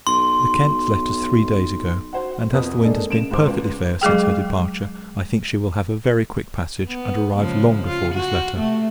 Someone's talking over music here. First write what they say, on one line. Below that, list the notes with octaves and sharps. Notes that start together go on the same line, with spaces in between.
The Kent left us three days ago; and, as the wind has been perfectly fair since her departure, I think she will have a very quick passage, and arrive long before this letter.
B1 C6
F#4 C5 F#5
F2 C3 B4 D#6
G#3 A#3 D4 A4
C#3 D7 E7
G#2 C5 D6
C#2
F#3 G#3 G#4 G5
B3
C#3 F3 G#3
F4
F#4
C3 A3